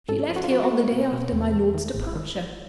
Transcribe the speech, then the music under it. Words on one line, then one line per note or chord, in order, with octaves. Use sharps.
"She left here on the day after my lord's departure."
G#2 A4
F3
F#4
F4
F3 F#4
F#4
A3
B2
B2
E2
E2
D#3
G#1
D#3
D#3